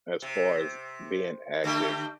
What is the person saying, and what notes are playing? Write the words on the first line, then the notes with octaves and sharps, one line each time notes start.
as far as being active,
C3
D3 A3 G4